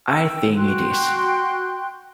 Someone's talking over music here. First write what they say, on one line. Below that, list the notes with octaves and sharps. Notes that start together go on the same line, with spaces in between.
I think it is.
G5 E6
F#4 G5 C6 F#6